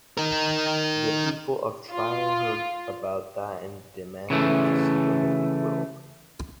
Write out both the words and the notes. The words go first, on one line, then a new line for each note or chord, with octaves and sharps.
The people of Trier heard about that and demanded to see the Holy Robe.
D#4 A#4
F4
C#3 E3 A3